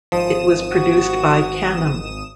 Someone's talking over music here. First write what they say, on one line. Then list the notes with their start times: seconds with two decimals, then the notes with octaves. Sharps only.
It was produced by Canham.
0.12 G#1 F3 D#6 E7
0.72 F#4